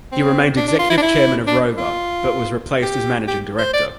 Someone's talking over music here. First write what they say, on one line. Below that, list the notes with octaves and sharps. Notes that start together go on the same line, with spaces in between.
He remained executive chairman of Rover but was replaced as managing director.
C4
D4
D4
F4
E4
D4
E4
D4
F4
G4
G4
C5
D5